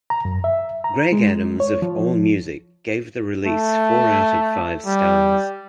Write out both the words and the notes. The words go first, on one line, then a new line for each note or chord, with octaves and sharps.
Greg Adams of Allmusic gave the release four out of five stars.
A#5
F#2
E5
A#5
G#3
C#5
F3
A3
G3